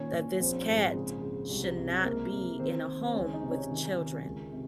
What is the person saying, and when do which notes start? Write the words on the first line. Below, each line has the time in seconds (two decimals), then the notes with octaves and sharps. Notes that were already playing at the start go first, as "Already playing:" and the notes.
that this cat should not be in a home with children
Already playing: A#2 D#3 C#4 C#5
0.12 A#2
0.39 A#1 C4 C5
0.67 G#2
0.94 C#3
1.22 C#3
1.50 C2
1.77 C3
1.99 C5
2.04 C#2 A#3 A#4
2.32 C3
2.59 D#3 C4 C5
2.87 D#3
3.03 C5
3.14 C#2 C#4 C#5
3.33 D#4 D#5
3.42 C3
3.51 C#4 C#5
3.70 D#3
3.97 D#3
4.25 C#2
4.52 C3